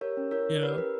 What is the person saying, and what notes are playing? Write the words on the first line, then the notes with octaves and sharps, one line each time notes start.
You know?
G4 A#4 C#5
C#4
E4 A#4 C#5
C#4
G4 B4
C#4 A#4